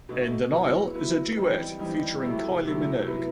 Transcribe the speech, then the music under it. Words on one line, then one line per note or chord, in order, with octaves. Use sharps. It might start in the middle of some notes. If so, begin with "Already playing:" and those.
"In Denial" is a duet featuring Kylie Minogue.
B2 A3 D#4
F#3 B3 E4
F#3 B3 E4
E3 G3 C4 D#4
E3 G3 C4 D#4
C3 F#3 A3 E4
C3 F#3 A3 E4
F#3 B3 E4